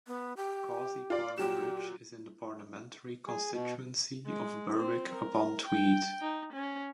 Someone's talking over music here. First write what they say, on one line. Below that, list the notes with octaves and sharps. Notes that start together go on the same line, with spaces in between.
Causey Park Bridge is in the parliamentary constituency of Berwick-upon-Tweed.
B3
G4
F4 D5
A#2 F#3 G4 E7
G#4
B2
G#3
C4 C5
A#4
G5
D#4
C#4